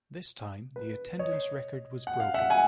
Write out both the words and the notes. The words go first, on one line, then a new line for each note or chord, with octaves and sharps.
This time the attendance record was broken.
B4
C#5 D#5
F#5
F5
E5 F#5
F#5 G#5